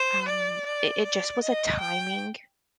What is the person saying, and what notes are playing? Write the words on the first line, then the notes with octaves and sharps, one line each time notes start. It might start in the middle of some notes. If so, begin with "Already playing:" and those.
um, i it just was a timing
Already playing: C5
D5
D5
D5
D#5
G5